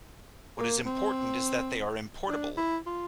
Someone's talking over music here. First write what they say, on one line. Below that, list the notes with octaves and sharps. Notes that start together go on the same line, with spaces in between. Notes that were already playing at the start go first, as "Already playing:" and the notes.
What is important is that they are importable.
A#3
C4
D4
E4
F4